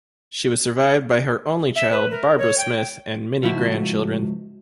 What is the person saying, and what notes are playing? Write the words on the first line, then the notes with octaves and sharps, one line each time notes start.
She was survived by her only child Barbara Smith, and many grandchildren.
E5
B4
A#4
C#5
G5
C#2 G#2 F3 E4 F#4